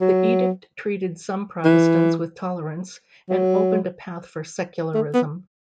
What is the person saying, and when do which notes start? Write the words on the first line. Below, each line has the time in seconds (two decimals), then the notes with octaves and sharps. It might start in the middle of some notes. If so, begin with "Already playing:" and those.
The Edict treated some Protestants with tolerance and opened a path for secularism.
0.01 F#3
1.65 E3
3.29 F#3
4.94 A3
5.14 B3